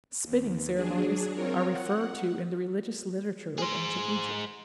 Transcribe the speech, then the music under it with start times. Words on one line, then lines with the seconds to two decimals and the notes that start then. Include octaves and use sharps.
Spitting ceremonies are referred to in the religious literature of Ancient Egypt.
0.23 D#2
0.73 F#3 D4 G#4
1.32 C4 F4 A#4 C#5
1.70 F#5
3.59 G#4 C5